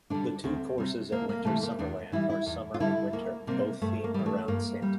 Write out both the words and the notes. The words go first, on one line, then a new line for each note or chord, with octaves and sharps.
The two courses at Winter Summerland are Summer and Winter both theme around Santa.
D3 G3 D4
D2 C4
C3 G3
D2 A#3
A#3
C3 E3 G3 A3
A#3
E2 D4
E3 G3 E4
E4
E2
F4
D3 G3 E4
D2 A#3
C3 G3 A#3
G2 A3
A#3
E3 G3
A3
G2 A#3
G3